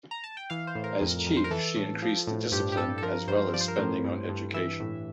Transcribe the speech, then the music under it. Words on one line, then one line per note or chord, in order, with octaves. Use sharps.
As chief she increased discipline as well as spending on education.
A#5
A5
G5
E3 F5
C5
A2
A#4
F2
F2
C5
A#4
E3 A4
A2
F3
A2
G2 G4
G4
G2 A4
A4
F3 A#4
G2 C5
F3 D5
C5
A#4
A2 C5
G2
G2
E3 E5
A2